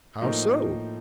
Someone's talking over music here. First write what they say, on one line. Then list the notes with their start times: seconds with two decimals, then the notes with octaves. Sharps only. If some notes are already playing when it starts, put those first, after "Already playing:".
"How so?"
0.21 A2 F3 A#3 D#4